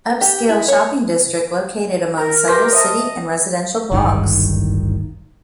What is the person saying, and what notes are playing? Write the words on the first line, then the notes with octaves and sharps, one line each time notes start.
Upscale shopping district located among several city and residential blocks.
G4
E4
C#5
A#4 A#5
G4 B4 C6 A#6
C5 D#5 E5 A5
D1 G#1 G2 D#3